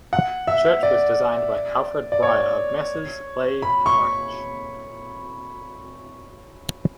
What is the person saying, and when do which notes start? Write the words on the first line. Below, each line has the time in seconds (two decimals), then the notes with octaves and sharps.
The church was designed by Alfred Bryer of Messrs. Leigh and Orange.
0.13 F#5
0.47 E5
0.83 D5
2.12 D5
2.23 C#5
3.62 B5
3.86 C#6